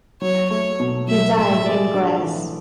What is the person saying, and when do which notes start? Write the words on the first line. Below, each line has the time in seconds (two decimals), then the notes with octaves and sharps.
He died in Graz.
0.21 F#3 C#5
0.50 A3 C#5
0.80 B2
1.08 F#3 E5
1.37 A2 E5
1.65 G#3 D5
1.94 D4
2.23 E3